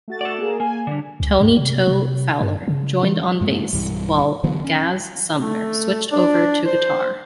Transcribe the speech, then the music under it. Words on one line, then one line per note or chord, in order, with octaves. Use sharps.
Tony "Toe" Fowler joined on bass, while Gaz Sumner switched over to guitar.
A3 F#4 A6
A4 D5
A#3 G#4 A#4
A#3 G#5
D3 G3 D4
C#2
G2
C3
C3
G2
C#3
E3
G2 G#3 A#3
B1 G2 E3 G3
D3 E3 F#3 B3
C#4
A3
D4
C5